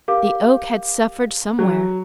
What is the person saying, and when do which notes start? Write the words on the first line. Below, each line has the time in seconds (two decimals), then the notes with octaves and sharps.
The oak had suffered somewhere.
0.08 G4 A#4 F5 D6
1.59 F#3